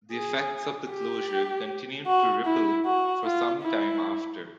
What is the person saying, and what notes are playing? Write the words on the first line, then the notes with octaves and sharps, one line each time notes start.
The effects of the closure continued to ripple for some time after.
G#4
G4
F#4
E4
F#4
F4
E4